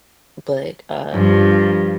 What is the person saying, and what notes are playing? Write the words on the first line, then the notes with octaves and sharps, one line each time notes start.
but, uh,
G2 F3